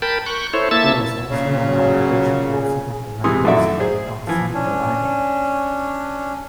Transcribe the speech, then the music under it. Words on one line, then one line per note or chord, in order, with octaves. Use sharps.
There was also an allegation that some of the members lived outside the riding.
A#4 G5 A5 B5
C#6 F#6 G6
E4 A4 C5 C#5
A#3 E4 E5 A5 E6 A6
A#2 C#3
F#3
G#4
C3 E3 G#3 C6 D#6
F#2 D#3 A3 F#4 D5 E5
G#4 C5
E3 F3
C#4 D4